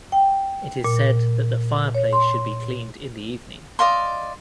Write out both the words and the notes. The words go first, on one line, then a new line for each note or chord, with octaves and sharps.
It is said that the fireplace should be cleaned in the evening.
G5
A#2
C#5
C6
D5 D#5 F5 C6